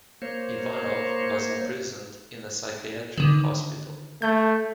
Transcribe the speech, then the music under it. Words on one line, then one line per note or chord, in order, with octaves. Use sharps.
Ivanov was imprisoned in a psychiatric hospital.
A#3 C5 C#5
D3 D#3
A3 G6